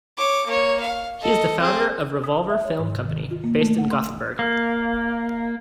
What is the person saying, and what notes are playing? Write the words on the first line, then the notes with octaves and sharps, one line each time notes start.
He is the founder of Revolver Film Company, based in Gothenburg.
C#5 D6
A#3 C#5
F5
A4 D#5
C4 G#4
D#6
E5
C#5
G#2
C3
D#3
F4
A#3
A3
F#5
C6
A#3